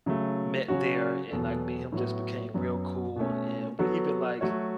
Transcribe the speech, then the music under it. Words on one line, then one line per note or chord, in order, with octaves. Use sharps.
met there and, like, me and him just became real cool and we even, like
C#3 F#3 A3
C#3 F#3 C#4 F#4
E2 B2 F#3 B3 A4
A2 F#3 B3 F#4
F#2 F#3 B3
B2 A3 C#4
F#3 B3 F#4 A4
F#3 A3 F#4 C#5